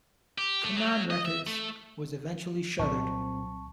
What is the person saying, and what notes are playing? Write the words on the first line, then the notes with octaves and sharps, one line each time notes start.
Canaan Records was eventually shuttered.
G4
A3
F#3
D#5
E5
A3
C2 A#2 F#3 C4 A5 C#6